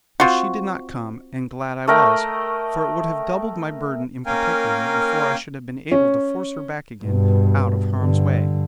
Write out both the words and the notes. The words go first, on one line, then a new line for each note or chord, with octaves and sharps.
But she did not come, and glad I was, for it would have doubled my burden in protecting her before I should have been able to force her back again out of harm's way.
C4 F4 F#4
A3 A#4 D#5 G5
A#3 C#4 A#4 F5 G5 G#5
C#4
G2 B2
G2 D3